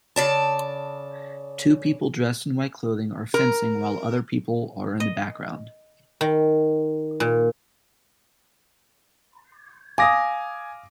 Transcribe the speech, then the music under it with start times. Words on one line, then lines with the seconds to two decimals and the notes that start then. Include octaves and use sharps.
Two people dressed in white clothing are fencing while other people are in the background.
0.16 C#3 D5 A5
3.34 A#4
5.00 D#5
6.21 D#3
7.20 A#2
9.98 F5 G#5 D6 D#6 A#6